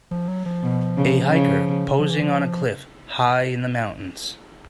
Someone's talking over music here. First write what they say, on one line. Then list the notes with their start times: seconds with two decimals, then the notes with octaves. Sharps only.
A hiker posing on a cliff high in the mountains.
0.11 F3
0.28 F#3
0.46 F3
0.63 B2
0.97 C#3
1.30 C#3
1.99 F3
2.10 E3
2.21 F3